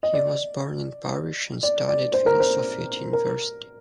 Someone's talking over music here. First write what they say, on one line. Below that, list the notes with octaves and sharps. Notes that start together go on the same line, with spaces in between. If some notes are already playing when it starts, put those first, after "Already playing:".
He was born in Paris and studied philosophy at university.
D#5
D5
D5
D5
C5
A#4
C5
A#4